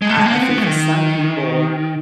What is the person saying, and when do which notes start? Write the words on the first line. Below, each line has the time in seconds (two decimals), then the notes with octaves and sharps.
I I think that some people
0.02 G#3
0.10 A3
0.18 G#3
0.26 A#3
0.34 B3
0.42 C4
0.50 B3
0.58 A3
0.67 D#3